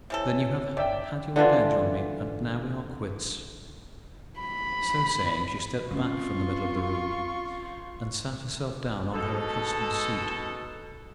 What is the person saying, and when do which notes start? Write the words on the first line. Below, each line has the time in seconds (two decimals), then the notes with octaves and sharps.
"Then you have had your revenge on me, and now we are quits." So saying, she stepped back from the middle of the room, and sat herself down on her accustomed seat.
0.10 C3 E3 A4 C#5
0.77 G1 D#3 D5 E5 G5
1.36 D3 E3 D4 F4
4.40 B5
5.91 C4 C#4 F4 C#6
9.14 B2 G#3 D#4 A4